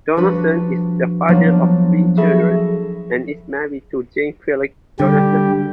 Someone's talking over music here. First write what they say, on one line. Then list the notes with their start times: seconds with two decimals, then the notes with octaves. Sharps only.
Donaldson is the father of three children and is married to Jane Phillips Donaldson.
0.16 F3 G3 D4 F#4 B4
1.28 F3 F#3 A#3 B3 D4
2.17 F#4 G#4 A4 E5 B5 A#6
5.00 D3 G3 G4